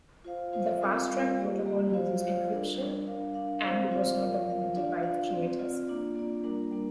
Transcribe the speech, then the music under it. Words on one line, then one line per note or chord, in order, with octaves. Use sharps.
The FastTrack protocol uses encryption and was not documented by its creators.
F4 C5 F5
F4 C5 F5
G3 C4 F4 A#4 F5
G3 C4 F4 A#4 F5
G3 A#3 G4 D5
G3 A#3 G4 D5
F4 C5 F5
F4 C5 F5
G3 D4 A#4 D5
G3 D4 A#4 D5
D4 A#4 F5
D4 A#4 F5
C4 F4 C5 F5
C4 F4 C5 F5
F4 A#4 F5
F4 A#4 F5
D4 F4 D5 F5
D4 F4 D5 F5
C4 F4 D5
C4 F4 D5
A#3 D4 F4 D5
A#3 D4 F4 D5
G3 A#3 D4 A#4
G3 A#3 D4 A#4